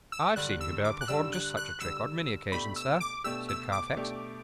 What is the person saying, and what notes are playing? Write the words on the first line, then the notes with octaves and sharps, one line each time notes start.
"I have seen Hubert perform just such a trick on many occasions, sir," said Carfax.
E6
G2 D3 G3 D4 F#6
E6
D6
F#6
G2 D3 G3 D4 E6
F#6
F#6
G2 D3 G3 D4 E6
B2 A3 D4 G4 B5
E6
D6
B2 A3 D4 G4 E6
E6
D6
B2 A3 D4 G4